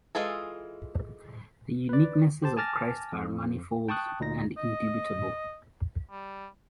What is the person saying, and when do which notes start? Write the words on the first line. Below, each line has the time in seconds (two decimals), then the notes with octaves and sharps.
The uniquenesses of Christ are manifold and indubitable.
0.15 E3 G#3 F4 G#4 A4
1.89 B4 D5
2.42 G4 C5 A5
2.57 G#5 A5 D6 F6 A6 A#6
3.12 F2
3.89 G5 A5 C#6 D#6 F#6
4.20 D2 A#2 D#4 A#6
4.57 D#5
6.11 G3